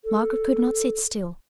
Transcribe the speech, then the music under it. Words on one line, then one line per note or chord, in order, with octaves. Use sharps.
Margaret could not sit still.
A4